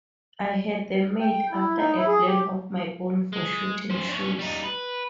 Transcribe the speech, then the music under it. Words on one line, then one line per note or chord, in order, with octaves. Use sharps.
I had them made after a plan of my own, for shooting-shoes.
G5
E4
D#4
E4
G#4
G4
G#3
C#4 C5
D4 C#5
G3 D#4
B4